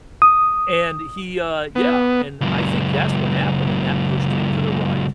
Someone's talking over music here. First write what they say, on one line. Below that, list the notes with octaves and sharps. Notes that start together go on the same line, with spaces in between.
and he, uh yeah, and I think that's what happened, and that pushed him to the right,
D#6
B3
C#2 F#2